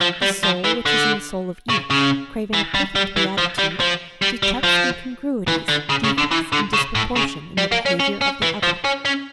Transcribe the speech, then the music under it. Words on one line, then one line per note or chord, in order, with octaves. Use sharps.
The soul which is in the soul of each, craving a perfect beatitude, detects incongruities, defects and disproportion in the behavior of the other.
F3
G3
F3
E3
D3
C#3
C#3
E3
G3
G3
E3
F3
G3
F3
G3
G3
F3
E3
D3
C#3
C#3
D3
E3
D3
C#3
A2
C#3
G3
A#3
C#4
C#4
C#4
E3
F3
C#4
C#4